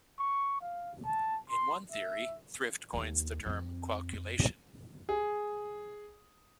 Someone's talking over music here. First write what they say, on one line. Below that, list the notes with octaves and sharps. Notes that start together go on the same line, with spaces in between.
In one theory, Thrift coins the term qualculation.
C#6
F5
A5
C6
E5
D#2 D#3
F2 C4
G#4